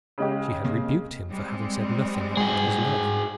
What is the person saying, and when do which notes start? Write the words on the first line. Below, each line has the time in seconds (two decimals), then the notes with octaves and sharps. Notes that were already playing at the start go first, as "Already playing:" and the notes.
She had rebuked him for having said nothing about his love.
0.18 C#3 G#3 G4
0.64 C3 A#3
1.30 G3 G#3 C4
2.37 G#2 F#4 G#4